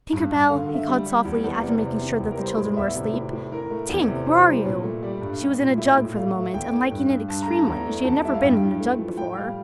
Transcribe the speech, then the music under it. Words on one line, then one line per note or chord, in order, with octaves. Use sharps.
"Tinker Bell," he called softly, after making sure that the children were asleep, "Tink, where are you?" She was in a jug for the moment, and liking it extremely; she had never been in a jug before.
G2
G2
D3 F5
F5
D3
E5
G3
G3
E2
E2
C3 D5
C3
C3
E2
A#4
G3 C5
A2
E2 E5
C3
A2
A2
E3 A#4
A3
E2
C3
E3 C5
G3
A#2
A3
G3 D5
G2
G3
A#2
A2 E5
A2
A3 F5
A3
E2 G5
A3
G2
G2
G2 A5
A#5
A3
A5
E2 A#5
A3
E2 A5
G3 E5
F5
G2 G5
E3
A3
F3
A2 G5
G3 F5